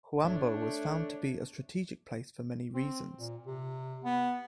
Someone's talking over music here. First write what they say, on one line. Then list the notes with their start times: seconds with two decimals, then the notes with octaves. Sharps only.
Huambo was found to be a strategic place for many reasons.
0.24 A3 D4 C#5
2.74 C4
3.17 A#2
3.46 C3
4.04 B3